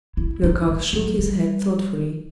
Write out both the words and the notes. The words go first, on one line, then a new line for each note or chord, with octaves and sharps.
Lecoq shook his head thoughtfully.
E4
D#4
A3
F#3
G3